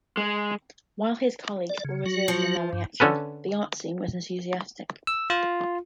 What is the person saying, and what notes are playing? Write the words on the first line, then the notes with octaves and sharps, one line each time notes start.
While his colleagues were reserved in their reaction, the art scene was enthusiastic.
G#3
D5
C#3
F#3 F#4
F3
G2
D3 C#4 A4 B4
E6
F4